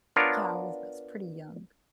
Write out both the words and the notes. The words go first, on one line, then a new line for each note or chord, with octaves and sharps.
yeah, I was I was pretty young.
B3 D4 F4 A#4 C#5